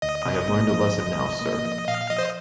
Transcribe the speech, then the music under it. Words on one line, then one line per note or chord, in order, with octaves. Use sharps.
I have learned a lesson now, sir.
D2 D#5
C3
A#3
F3
D2
C3
A#3
F3
A#2 F5
F3 D#5
C5